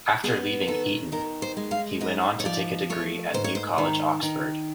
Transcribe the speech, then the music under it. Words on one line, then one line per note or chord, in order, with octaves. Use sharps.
After leaving Eton, he went on to take a degree at New College, Oxford.
B3 G#4
D#3 A4
D#3 A#4
C5
G#3
F5
G#2 D#5
C#5
F3 D5
A3 C#5
G#2 C5
C#5
C5
D#3
D#3